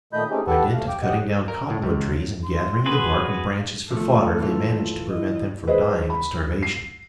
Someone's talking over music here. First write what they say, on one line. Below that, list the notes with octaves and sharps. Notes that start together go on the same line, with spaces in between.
By dint of cutting down cottonwood trees and gathering the bark and branches for fodder, they managed to prevent them from dying of starvation.
A#2 D#3 A3 D#5 B5 G6
A3 C4 C#4 D#4 G4 G#4
G4 A4 B4 F#5 A5
D#2 A3 F5
G5 D6
G4 D#5 F#5 G5
A#4
A2
C#2
C6
F#4 G#4 B4
D#2 F3 A3 A4
E3 F4
E4 D#5
G#4 B4 C5 D#5
B5
C7